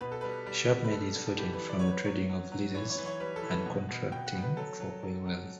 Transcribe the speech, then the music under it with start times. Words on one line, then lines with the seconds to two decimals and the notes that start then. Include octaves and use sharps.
Sharp made his fortune from the trading of leases and contracting for oil wells.
0.01 B2 B4
0.12 A4
0.21 G3 B4
0.46 G3
0.69 B2
0.84 B4
0.92 G3 A4
1.15 G3
1.27 A4
1.37 E3 G4
1.53 B4
1.60 E3
1.69 D5
1.79 F#3 C#5
1.91 B4
2.04 F#3 C#5
2.29 F#3
2.52 F#3
2.74 E3 C#5
2.90 C#5
2.98 E3
3.06 C#5
3.20 G3 B4
3.36 A4
3.43 E3
3.50 B4
3.66 B2
3.89 B2
4.12 B2 G5
4.27 F#5
4.34 B2
4.42 B4
4.57 F#3 A4
4.80 F#3
5.03 F#3
5.26 F#3